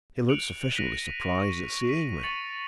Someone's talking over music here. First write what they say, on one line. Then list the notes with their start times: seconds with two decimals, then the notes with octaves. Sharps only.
He looked sufficiently surprised at seeing me.
0.29 F#6 C#7 D7 F7 F#7
0.74 F#6 A#6 B6 D#7
1.39 C#6
1.89 B6 D#7
2.23 C#6 A6 C#7 F7 F#7